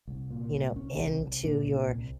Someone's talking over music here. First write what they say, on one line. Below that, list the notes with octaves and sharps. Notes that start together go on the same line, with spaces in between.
you know, into your
C2
A#2
C2
C2 C#4
C2
C2
A#2 D4
C2
C2